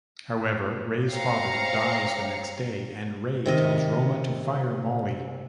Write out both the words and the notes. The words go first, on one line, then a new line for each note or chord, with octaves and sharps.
However, Ray's father dies the next day, and Ray tells Roma to fire Molly.
C4 C#5 F5 A#5 C#7
C3 D#3 D#5